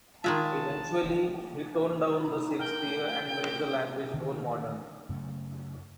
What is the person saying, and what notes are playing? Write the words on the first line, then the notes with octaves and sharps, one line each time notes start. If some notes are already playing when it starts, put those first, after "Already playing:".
Eventually, he toned down the Shakespeare and made the language more modern.
D#3 G#3 F4 E5 A5
D#4 E4
A#4 G5
D3 D#3
F#2 C#3 A3